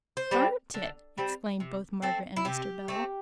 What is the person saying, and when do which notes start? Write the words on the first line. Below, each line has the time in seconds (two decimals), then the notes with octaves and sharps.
'Burnt it!' exclaimed both Margaret and Mr. Bell.
0.17 C5
0.31 G3 C4
0.74 D3
1.18 G3 C4
1.60 C3
2.02 A3 C4
2.36 E4
2.45 C3 G4
2.88 A3 C4